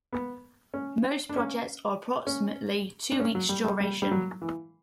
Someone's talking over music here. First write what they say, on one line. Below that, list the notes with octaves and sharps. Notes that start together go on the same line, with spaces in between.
Most projects are approximately two weeks duration.
B3
C#4
D4
C#4
C#4
D4
C#4
F#3
G3
G3
G3
G3
F#3
E3